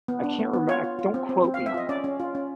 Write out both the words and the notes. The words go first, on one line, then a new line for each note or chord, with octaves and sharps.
I can't reme don't quote me on that.
B3
D4
B3
B3
F4 C#5
F4
F4
C4
C4
C4
F5
C4
E5
F4 D#5
C#4 D5
C#4
F4
C#4